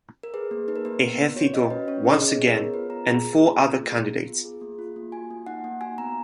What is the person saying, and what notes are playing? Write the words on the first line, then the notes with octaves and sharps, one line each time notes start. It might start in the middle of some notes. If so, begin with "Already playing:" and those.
Ejercito once again and four other candidates.
A#4
G#4 B4
A#3
D#4 B4
A#4
A#3 B4
B3 A#4
B3
F#4 C#5
F#4 D#5
C#4 B4
C#4 C#5
G#4
G#4 D#5
G#4 C#5
B3 A#4
F4 B4
B3 A#5
G#4 A#5
A#3
A#5
F4
A#3
G#4
B3
F4
B3
G#4
A#3
F4
A#3
F#4 G#5
A#3
D#4 F#5
A#3
F#4 G#5
B3 A#5